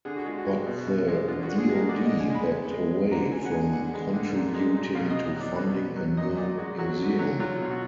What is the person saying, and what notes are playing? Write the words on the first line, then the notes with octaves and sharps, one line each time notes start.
But the DoD backed away from contributing to funding a new museum.
D3 G#4
F#4
G#3 F4
F#4
G#3
B2
B2
G#3
D3 F4
F#4
D3
G#4
G#3
A#4
D3 D5
D#5
D3
G#5
G#3 B5
G#3
G#3
G#3
D3 A#5
D3 G#5
F#5
G#3 G#5
D3 F#5
G#3
D3
A#2
G#3
A#2
B2 F5
D#5
B2
D#5
F#3 D5
B2 B4
B2
F#3
A#2 D#5
D#5
A#2 D5
G#3 F#4
F#3 F#4
D3
F#4
F#3
F#3 F4
B2 F4
F#4